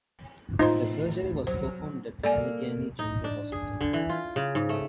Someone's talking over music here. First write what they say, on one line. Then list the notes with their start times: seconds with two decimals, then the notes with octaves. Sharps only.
The surgery was performed at Allegheny General Hospital.
0.59 A2 D#4 F4 C5 C6
1.47 F#3 C5
2.23 A#3 A4 D5 G#5
2.99 D#4
3.24 D4
3.52 G#4
3.81 D3
3.93 E3
4.09 F4
4.36 C#3
4.55 G#2
4.69 A3